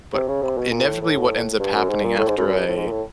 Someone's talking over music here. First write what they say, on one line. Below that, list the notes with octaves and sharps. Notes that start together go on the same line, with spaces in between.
But, uh, inevitably, what ends up happening after I
C3
C#3
C3
B2
A#2
A2
A2
G2
F#2
G#2
A#2
A2
G#2
F#2
F#2
G2
A2
G#2
A#2
A2